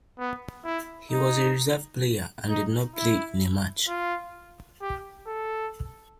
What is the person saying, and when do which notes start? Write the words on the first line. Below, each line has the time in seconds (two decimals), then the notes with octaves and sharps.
He was a reserve player and did not play in a match.
0.19 B3
0.64 E4
1.11 D#4
2.49 D#4
2.96 E4
3.88 F4
4.81 G4
5.27 A4